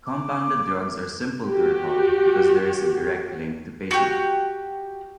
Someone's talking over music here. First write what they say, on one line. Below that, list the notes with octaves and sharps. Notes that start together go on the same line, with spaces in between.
Compounded drugs are simple to recall because there is a direct link to patient.
D6
F#4 G4
F#4 G4